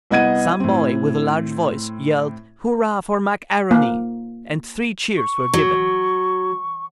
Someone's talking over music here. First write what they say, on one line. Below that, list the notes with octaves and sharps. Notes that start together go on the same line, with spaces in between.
Some boy with a large voice yelled, "Hurrah for Mac A'Rony!" and three cheers were given.
C2 B3 D#5 F#5 G#6 D#7
A2 C4
A#3
C#6
F#3